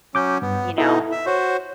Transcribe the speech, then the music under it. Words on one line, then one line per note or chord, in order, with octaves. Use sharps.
You know?
F#3 C#4 D6 G6
G2 B3
B2 D#4 E4 A4
E5
F#4 C5 C#5